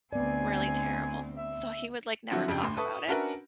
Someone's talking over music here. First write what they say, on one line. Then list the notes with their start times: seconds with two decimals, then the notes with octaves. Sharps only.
really terrible. So he would, like never talk about it,
0.13 D2 B3 C4 D5 G#5
1.37 E5
2.31 D3 F3 F#3 C4 E4 F#4
2.48 F2 C#3 D4 G4 G5
2.63 D2 A2 C6
2.77 A4 B4 E5 C#6 D#6
3.07 C#4 D4 F#4 A#4 B4 E5